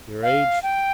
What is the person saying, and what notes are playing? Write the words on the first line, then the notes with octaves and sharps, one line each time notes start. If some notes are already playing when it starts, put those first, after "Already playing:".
"Your age?"
F5
G5